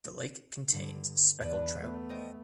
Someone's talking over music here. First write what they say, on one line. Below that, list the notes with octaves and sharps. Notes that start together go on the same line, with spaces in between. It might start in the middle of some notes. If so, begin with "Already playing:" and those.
The lake contains speckled trout.
G2 D3
E2 D4 B4
A3 B3
F3 D#5 G5